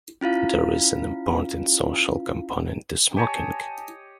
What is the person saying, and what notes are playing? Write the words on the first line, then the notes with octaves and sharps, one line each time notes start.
There is an important social component to smoking.
C#4 E4 F4 F5
G4 C#5 D#5 G#5 A5